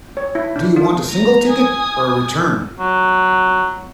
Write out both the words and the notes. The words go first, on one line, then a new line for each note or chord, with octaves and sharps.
Do you want a single ticket, or a return?
C#5
E4
D4
F4
A#5
G#5 D#6
F#3